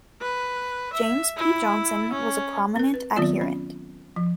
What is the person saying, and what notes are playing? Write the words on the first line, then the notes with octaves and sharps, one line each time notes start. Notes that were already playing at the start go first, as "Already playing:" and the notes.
James P. Johnson was a prominent adherent.
B4
E5
E4
C#4
C4 A#4
B4
D#3 F#3 B3 C4 F4 D5
C#4
F3